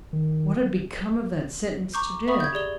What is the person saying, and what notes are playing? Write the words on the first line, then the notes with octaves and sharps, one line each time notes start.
What had become of that sentence to death?
D#3
A#5 C#6 D6 G6
E5 B5 C#6 D#6
G6 G#6
G4 G#4 D5 G7